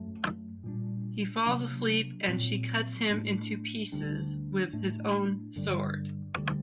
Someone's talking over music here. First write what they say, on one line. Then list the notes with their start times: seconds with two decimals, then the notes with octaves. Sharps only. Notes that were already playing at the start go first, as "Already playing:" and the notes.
He falls asleep and she cuts him into pieces with his own sword.
Already playing: F#2 F#3 A3
0.64 A#2 G3 D4
1.46 C3 F#3 A#3 D4
2.28 A#2 F#3 C4
3.10 A2 A3 D4
3.92 D2 D3 G3 D4
4.73 A2 A3 D4
5.56 G2 D3 G3
6.37 D2 D3 G3